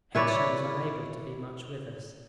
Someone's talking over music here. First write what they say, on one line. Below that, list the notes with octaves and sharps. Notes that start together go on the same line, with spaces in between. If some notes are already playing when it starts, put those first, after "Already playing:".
Hence she was unable to be much with us.
E4 B4 C#5 D5